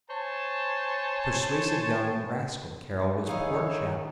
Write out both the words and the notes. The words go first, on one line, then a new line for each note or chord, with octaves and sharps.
Persuasive young rascal, Carroll Was--poor chap ...
C5 C#5 G#5 A5
D#3 D#4 E4 G#4 C#5 F5 G#5